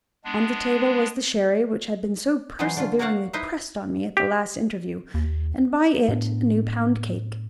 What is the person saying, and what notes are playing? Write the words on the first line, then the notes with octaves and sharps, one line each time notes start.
On the table was the sherry which had been so perseveringly pressed on me at the last interview, and by it a new pound cake.
G#3 B3 D4
E3 F#3 G#3 B3 C#4 C5
D3 F4
A#3 F#4 A#4 C#5 F5 F#5
D#4 E4 B4 C5 E5
G4
D#2
A2 B3 D4